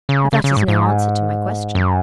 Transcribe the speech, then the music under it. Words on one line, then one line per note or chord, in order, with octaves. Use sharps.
But that is no answer to my question.
C#3
C#3
C#3
G#2
G#2
F#2